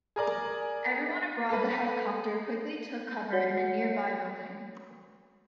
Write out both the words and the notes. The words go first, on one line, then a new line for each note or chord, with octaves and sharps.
Everyone aboard the helicopter quickly took cover in a nearby building.
G#4 A#4 D5
A4 B4
F#4 C#5 F#5